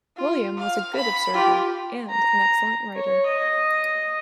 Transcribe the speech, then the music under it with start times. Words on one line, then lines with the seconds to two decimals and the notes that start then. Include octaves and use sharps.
William was a good observer, and an excellent writer.
0.17 F4
0.58 F5
0.95 B5
1.34 F4 G4
2.10 A#5
2.96 C#5
3.27 D#5